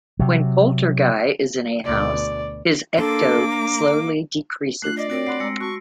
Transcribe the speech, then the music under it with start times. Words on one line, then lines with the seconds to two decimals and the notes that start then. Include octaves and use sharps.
When Polterguy is in a house his ecto slowly decreases.
0.19 C3 F#3
1.85 D2 B2 D5
2.98 A#3 D4 A4 C6 D6
3.50 A#5
4.82 A3 D4 F4 F#6 C7
4.97 D5 D#5
5.10 C4 F#4 A#4 C#5 A#6 D7
5.27 F#5 B5 C6 F#6 C7
5.40 G#3 A#5 E6 A#6 C#7
5.61 F#4 A5 C#6